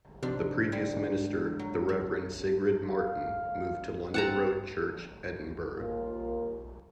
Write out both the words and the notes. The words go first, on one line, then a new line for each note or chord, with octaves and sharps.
The previous minister, the Reverend Sigrid Marten, moved to London Road Church, Edinburgh.
G#2 C3 F3 D4
D3 G3
G#2
F#3
A3
F5
C4 F#5 A5 A#5
D#2 A#3 F4